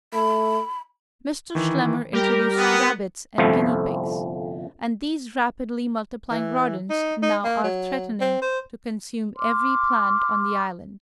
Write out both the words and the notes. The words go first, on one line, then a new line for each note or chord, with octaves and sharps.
Mr. Schlemmer introduced rabbits and guinea-pigs; and these rapidly multiplying rodents now are threatening to consume every plant on the island.
A3 B5
D#3 E3
G3 G4 A#4
B3
G1 C2 F2 F3 A3
E3
D#4
D#4
A#3
F#3
C4
C5
C6 D6 F6